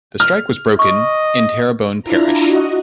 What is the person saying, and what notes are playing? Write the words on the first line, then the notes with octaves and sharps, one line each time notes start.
The strike was broken in Terrebone Parish.
F6
D#5 C#6
D4 E4 F4 A#5
F#4 D#5